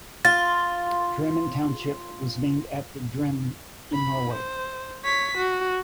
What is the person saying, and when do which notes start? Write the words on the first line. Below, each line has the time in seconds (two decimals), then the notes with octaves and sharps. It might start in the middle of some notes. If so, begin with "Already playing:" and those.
Drammen Township was named after Drammen, in Norway.
0.25 F4 A6
3.94 B5
4.33 C5
5.04 C#5 B6
5.38 F#4